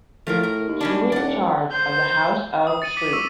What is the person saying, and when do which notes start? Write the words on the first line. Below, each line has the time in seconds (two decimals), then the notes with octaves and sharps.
She was in charge of the house of St.
0.27 A2 F3 F4 A#4
0.43 A#4
0.69 D#2
0.81 G3 C#4 D4
1.12 D#1 D5 F#5
1.73 C5 G6
2.67 D#6
2.82 A6 C#7 D#7 F#7
2.97 D6 B6 C#7
3.13 C#6 E6